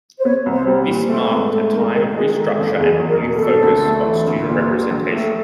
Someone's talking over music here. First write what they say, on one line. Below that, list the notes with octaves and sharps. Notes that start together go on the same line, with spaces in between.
This marked a time of restructure and renewed focus on student representation.
C5
B3 C#5
C2
C5
G3
A#2
A3 C5
G#2 B4
A3 A4
G#2 A#4
D#3 A#4
G#3 G#4
D#3 A4
F#1 A4
E2 G#4
E2
A#4
B2
A#4
A4
B2
D2
A3
E3
D2
A#2
F#3
A#1
A3